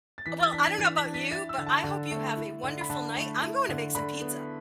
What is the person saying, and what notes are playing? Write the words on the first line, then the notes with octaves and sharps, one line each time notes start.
well, I don't know about you, but I hope you have a wonderful night. I'm going to make some pizza.
A6
E3 B6
A6
D4 B6
B6
E3 A6
B6
D4
B6
E4 A6
E6
D3
A5
D3
A3
E4
D3
B5
D3 A5
A3
E4
D3
D3 B5
B3